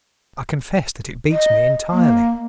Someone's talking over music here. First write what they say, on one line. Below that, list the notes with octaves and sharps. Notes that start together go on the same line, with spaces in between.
I confess that it beats me entirely.
D#5
A#3